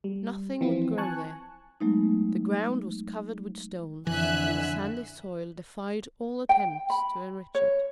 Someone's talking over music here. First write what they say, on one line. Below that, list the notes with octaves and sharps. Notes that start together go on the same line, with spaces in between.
Nothing would grow there. The ground was covered with stones, and the sandy soil defied all attempts to enrich it.
G3
E3 F3 C4 F4
G#5 A5 C#6 F#6
F#3 G#3 A3 B3 D#4
F2 D3 E3 E5 G#5 F#6
G5
B5
C#5